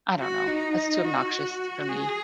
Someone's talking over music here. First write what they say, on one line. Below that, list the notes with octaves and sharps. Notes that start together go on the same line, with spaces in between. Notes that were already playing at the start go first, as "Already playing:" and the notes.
I don't know, it's too obnoxious for me.
F#4
D#4
F#4
G#4